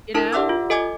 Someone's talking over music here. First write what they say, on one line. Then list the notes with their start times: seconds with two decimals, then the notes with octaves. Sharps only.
You know?
0.14 D4 E4 A4 A#4 A5
0.33 G4 D5 E5 F#5 D6 E6
0.49 F4
0.70 A4 D#5 G#5 D6 G#6